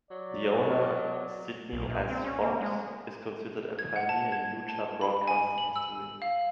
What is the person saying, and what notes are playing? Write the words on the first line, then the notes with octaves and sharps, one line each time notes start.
The owner, Sidney S. Fox, is considered a pioneer in Utah broadcasting history.
F#3 D5
B1
A#2
C4
C#4
A#3
G#3
G#6
F#5
A5
G#6
A5
B5
G#5
F#7
E6
F5